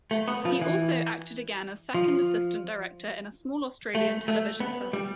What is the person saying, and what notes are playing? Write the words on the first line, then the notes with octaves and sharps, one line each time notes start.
He also acted again as second assistant director in a small Australian television film.
A3
B3
F3
E3
F3
A3
A3
B3
G3